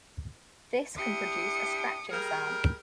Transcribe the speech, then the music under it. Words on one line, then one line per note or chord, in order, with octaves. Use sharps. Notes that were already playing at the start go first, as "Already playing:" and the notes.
This can produce a scratching sound.
D4 E4 G4 D#6 C#7
G3 G#4 A#4